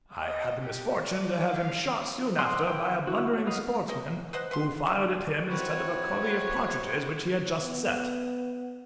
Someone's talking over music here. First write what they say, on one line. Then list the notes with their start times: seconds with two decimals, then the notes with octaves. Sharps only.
I had the misfortune to have him shot soon after by a blundering sportsman, who fired at him instead of a covey of partridges which he had just set.
0.21 D#5
0.62 G4
1.03 D5
1.56 F5
2.39 C5 D5 D#5 F#5 C6
2.68 E4 G5
3.07 E4 F#4
3.34 F#4 C#5
3.47 B3 A#4 B4 D#5 F5
3.88 E3 F#3 D#5
4.33 B4 C5 D#5 F#5
4.51 B4 F5 C6
4.87 C#4
5.50 C4 E4 F#4 B4 C#5
7.62 B3